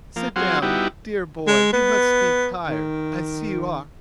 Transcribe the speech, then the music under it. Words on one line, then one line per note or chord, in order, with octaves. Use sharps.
Sit down, dear boy, you must be tired; I see you are.
F3 A#3
F#3 C4 F4 F#4 G#4 C6
G3 B3 D#4 E4 F#4 G4
G#3
B3
D#3